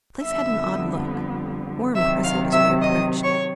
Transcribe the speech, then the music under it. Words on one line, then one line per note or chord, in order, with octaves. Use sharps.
The place had an odd look, more impressive as we approached.
F2 D3 G3 B3 E5 E6
C3 D#3 F#3 E5 E6
F5 F6
E5 E6
D#5 D#6
C#5 C#6